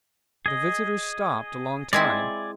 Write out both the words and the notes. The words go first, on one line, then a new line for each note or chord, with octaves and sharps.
The visitors stopped a long time.
G#4 D#5
G#3 C4 E4 D5 G#5